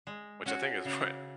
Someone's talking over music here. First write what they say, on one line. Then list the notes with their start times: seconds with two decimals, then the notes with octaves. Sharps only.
Which I think is what
0.07 G#3
0.46 C#4 F#4
0.85 C#3